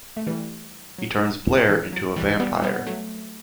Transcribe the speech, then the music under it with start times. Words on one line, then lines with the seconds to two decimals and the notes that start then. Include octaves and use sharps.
He turns Blair into a vampire.
0.17 A3
0.27 E3 G3
0.98 F#3
1.69 E3
1.93 F#3
2.16 E3 G3
2.40 G3 B3
2.63 G3 B3
2.87 F#3 A3